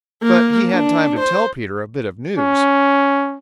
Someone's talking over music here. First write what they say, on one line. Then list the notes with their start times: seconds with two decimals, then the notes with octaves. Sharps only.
But he had time to tell Peter a bit of news.
0.23 A#3
0.72 D4
1.19 C5
2.38 C#4